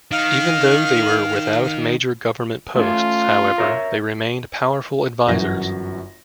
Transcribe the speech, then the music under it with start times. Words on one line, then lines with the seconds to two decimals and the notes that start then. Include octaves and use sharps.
Even though they were without major government posts, however, they remained powerful advisors.
0.11 D#3 F5
2.76 A3 C#4 F4
3.58 A#4 C#5 E5
5.26 G1 F#2 E3 F#3 F#4 A#6